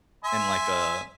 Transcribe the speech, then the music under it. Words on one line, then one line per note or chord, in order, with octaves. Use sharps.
in, like, a
E5 G#5 C6